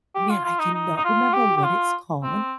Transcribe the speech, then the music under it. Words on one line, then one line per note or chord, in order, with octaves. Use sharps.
man, I cannot remember what it's called,
G4
F4
F4
D#4
D#4
D#4
F4
G4
G4
F4
C4